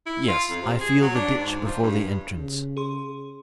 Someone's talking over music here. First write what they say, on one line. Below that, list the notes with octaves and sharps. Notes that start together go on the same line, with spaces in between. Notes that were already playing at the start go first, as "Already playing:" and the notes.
'Yes, I feel the ditch before the entrance.
E4
F4
F2
C3
G#4
F#3
D4
G#2
F3
G2
C#3
G#4 C6